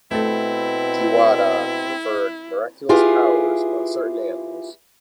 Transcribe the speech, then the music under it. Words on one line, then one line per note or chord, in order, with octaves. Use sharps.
Tirawa conferred miraculous powers on certain animals.
B2 A3 C4 E4 A4
E4 F4 G4 G#4 B4 F5